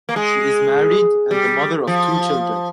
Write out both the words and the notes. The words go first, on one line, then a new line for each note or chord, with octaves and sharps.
She is married and the mother of two children.
A#3
G#3
G3
F3